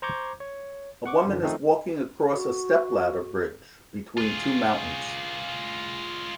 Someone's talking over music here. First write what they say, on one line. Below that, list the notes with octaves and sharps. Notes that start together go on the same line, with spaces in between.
A woman is walking across a step ladder bridge between two mountains.
C5 A#5 C#6 D6 G6 G#6
C#5
F#5 C#6 D6
F#2 D3 E3
D#3 F3 A3 C4 D#4
F#4
F4 G#4